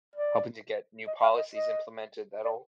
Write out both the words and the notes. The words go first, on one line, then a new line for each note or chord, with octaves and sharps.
hoping to get new policies implemented that'll
D5
D#5
F5
D#5
D#5
D5